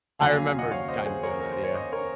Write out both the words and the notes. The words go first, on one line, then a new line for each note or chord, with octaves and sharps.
I remembered kinda doing that, yeah.
D#2 C#3 F#3 C#4 F5 G#5
F5 G#5
D#5 F#5
C#5 F5
C5 D#5
G#4 C5
A#4 C#5
A#4
C5
C#5
C5 D#5
A#4 C#5